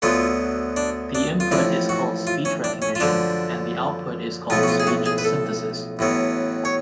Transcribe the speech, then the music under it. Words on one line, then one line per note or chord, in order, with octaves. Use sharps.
The input is called speech recognition and the output is called speech synthesis.
D2 D3 F#3 B3 F4
D4
D4
F4
A1 A2 F3 D4
F#4
F4
C#4
D4
C#4
F4
F#2 D3 F3 D4
B1 A2 F3 B3 F4
F#4
F4
G#4
F#4
G#4
B4
A4
A1 A2 F#3 B3
C#5